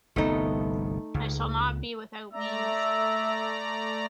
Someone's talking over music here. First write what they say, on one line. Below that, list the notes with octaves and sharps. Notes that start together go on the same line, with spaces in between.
I shall not be without means.
G1 C2 A3 B3 D#4
C#2
A3 D5 E5 A#5